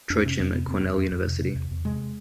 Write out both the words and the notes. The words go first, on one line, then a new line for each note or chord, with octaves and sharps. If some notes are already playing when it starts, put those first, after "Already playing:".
Trochim at Cornell University.
F2 D4
C3 C#4
F2 C4
C3 B3
F2 C4
F2
F2
F2
C3
C3
E2
E2
C3 G#3